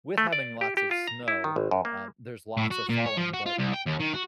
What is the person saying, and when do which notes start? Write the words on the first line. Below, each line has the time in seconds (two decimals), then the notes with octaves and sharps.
with having lots of snow, um, there's lots of falling, but
0.18 A3
0.33 D5
0.61 G4
0.77 G4
0.91 F4
1.07 A#5
1.28 E4
1.44 D#3
1.56 G#1
1.71 F#2
1.85 A#3
2.57 A2
2.71 F#4
2.90 A#2
3.06 C#5
3.17 F3
3.33 F#4
3.46 F4
3.58 C2
3.73 G5
3.86 D#2
4.00 D#3
4.13 F#4